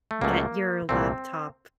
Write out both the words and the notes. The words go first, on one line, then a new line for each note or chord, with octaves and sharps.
get your laptop
A3
C#2 C#3 F#3 A3 A#3
C2 A#2 A3 C4